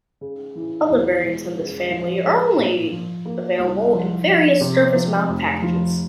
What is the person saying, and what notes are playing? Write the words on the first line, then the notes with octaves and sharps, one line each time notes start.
Other variants in this family are only available in various surface-mount packages.
C#3
E3
E2
E1
C#3
F3
G#3
A#2
F3
A#3
C2
F3
F3
C3
F3
F1
F3